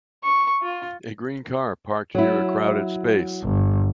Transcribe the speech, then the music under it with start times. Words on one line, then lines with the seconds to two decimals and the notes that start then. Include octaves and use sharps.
A green car parked near a crowded space.
0.23 C#6
0.62 F4
2.15 F#3 E4
3.44 G1